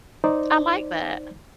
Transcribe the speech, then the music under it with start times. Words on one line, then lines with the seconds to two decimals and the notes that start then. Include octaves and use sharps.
I like that.
0.24 D#4 C5 D5